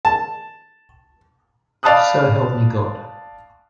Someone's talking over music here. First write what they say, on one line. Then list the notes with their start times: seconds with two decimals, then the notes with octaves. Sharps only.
So help me God.
0.05 A5
1.83 D5 F5 A5 B5 D#6 F#6